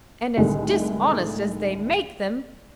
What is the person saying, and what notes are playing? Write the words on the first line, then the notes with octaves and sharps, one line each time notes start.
'And as dishonest as they make them.'
C2 A2 D3 D#3 G#3 A3